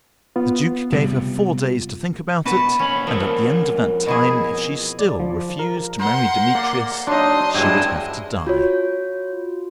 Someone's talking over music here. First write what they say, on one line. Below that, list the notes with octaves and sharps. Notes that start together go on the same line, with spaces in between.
The Duke gave her four days to think about it, and, at the end of that time, if she still refused to marry Demetrius, she would have to die.
B3 F4
C3 G3
B2 F#4 B4 A5
D#2 C#4 B5
F2 F3 A#4 A5
B2 E4 G#4
D5
F3
A#4
A#4 C5 F#5 C6
A#3 D5
F#3 D4 D#4 D#5 A5 C6
G2 F#3 G#3 E4 G5
F4 F#4 C#5